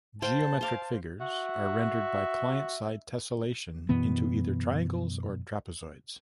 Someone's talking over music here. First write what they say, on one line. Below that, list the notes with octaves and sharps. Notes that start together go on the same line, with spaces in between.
Geometric figures are rendered by client-side tessellation into either triangles or trapezoids.
C5 F5 G5 A5
C5 F5 D6
F#4 E5
F#2 B2 E3 B3